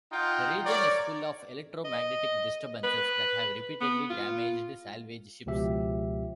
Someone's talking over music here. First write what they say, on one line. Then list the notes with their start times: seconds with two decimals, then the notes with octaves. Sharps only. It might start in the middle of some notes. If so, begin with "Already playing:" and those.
The region is full of electro-magnetic disturbances that have repeatedly damaged salvage ships.
0.12 D#4 F4 F#5 G5
0.66 A#4 C#5 D5
1.85 D#5
2.83 B4
3.81 B3
4.10 F4
5.46 C#2 B2 F3 G4 E5